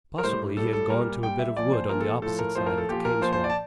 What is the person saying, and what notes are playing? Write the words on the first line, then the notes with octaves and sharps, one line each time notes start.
Possibly he had gone to a bit of wood on the opposite side of the cane-swamp.
A#4
A2 G3 C5
A2 G3 A4
A4
A#2 G3 A#4
A#4
A#2 G3 G5
E5
A#2 F3 D5
C5
A#2 F3 A#4
A4
A2 F3 A4
A#4
A2 F3 C5
A#4
A4
A#2 F3 G4
A#4
A#2 F3 C5
C5
D5
A5